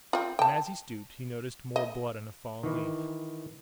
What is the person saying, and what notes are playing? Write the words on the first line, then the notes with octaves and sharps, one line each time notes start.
And, as he stooped, he noticed more blood on a fallen leaf.
C4 F4
G5 A5
D#5
D#3 E3